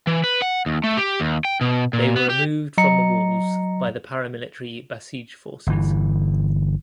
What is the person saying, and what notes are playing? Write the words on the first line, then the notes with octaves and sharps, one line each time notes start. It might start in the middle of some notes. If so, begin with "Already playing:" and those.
They were removed from the walls by the paramilitary Basij forces.
E3
B4
F#5
D#2
A3
G4
D#2
G5
B2
A#2
B3
G4
F#3 D#5 A#5 C#7
G1 E3